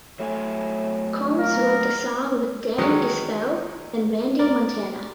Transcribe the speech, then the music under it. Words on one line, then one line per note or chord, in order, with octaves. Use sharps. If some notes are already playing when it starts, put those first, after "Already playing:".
Combs wrote the song with Dan Isbell and Randy Montana.
A2 F#3 A3 G#5
A#3 A#4
D#3 E3 F#3 G#3 C#4 D#4
A#4 D5